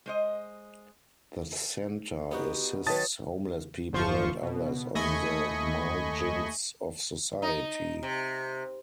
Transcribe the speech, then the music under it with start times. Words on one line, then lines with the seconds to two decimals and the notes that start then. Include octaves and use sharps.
The centre assists homeless people and others on the margins of society.
0.06 G#3 C5 D#5
2.31 B3 D#4 F#4 G4
2.86 D#3 F#3 B4 C#5 A5 D#6 A6
3.93 G1 E2 F3 F4 C5 C#6
4.43 B2
4.95 D#2 A3 D#5 G#5 B5 C#6
7.42 D#4
8.03 C3